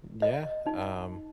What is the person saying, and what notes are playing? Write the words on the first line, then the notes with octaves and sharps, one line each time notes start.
Yeah, um,
D#5
D#4